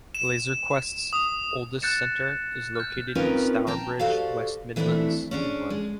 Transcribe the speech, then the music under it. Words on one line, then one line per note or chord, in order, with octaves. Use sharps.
Laser Quest's oldest centre is located in Stourbridge, West Midlands, England.
E7
D#6
F#6 G6 A6 C#7 E7
F6 G6
C4 C#4 D#4 F4 A#4 B4
G5 A5 A#5
F#4 G4 A4 C5 D5 F5
E3 A3 C4 D4 E4
C#4 D4 G#4
G#3